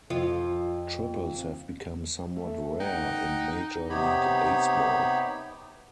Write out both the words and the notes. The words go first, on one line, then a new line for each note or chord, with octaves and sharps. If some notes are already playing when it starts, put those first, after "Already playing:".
Triples have become somewhat rare in Major League Baseball.
F2 F4
A3
D#4 F#5 G5
C3 B3 D#4 G4 C#5 B5